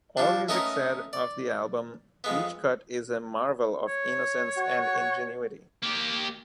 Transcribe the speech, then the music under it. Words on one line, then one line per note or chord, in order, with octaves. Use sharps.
Allmusic said of the album each cut is a marvel of innocence and ingenuity.
F3 G3 D4
A3 B3 C#4 D#4 A#4
D5
F2 G#3 B3
C#5
F#4
A#3 G4